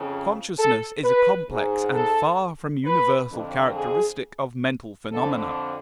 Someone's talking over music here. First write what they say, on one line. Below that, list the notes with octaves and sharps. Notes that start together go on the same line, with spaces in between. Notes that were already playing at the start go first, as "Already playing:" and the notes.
Consciousness is a complex and far from universal characteristic of mental phenomena.
Already playing: F2 C#3
A4
B4
G#2
A4
B4
F2 D3
G#4
F2 D3 A4